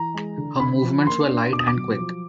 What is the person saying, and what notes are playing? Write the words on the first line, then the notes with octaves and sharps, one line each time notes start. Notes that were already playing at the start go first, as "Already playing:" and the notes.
Her movements were light and quick.
Already playing: E3 A#5
G#3
D3
D3 B5
F3
A#3 C6
D4
B2 D6
D#6
D6
F#3
F3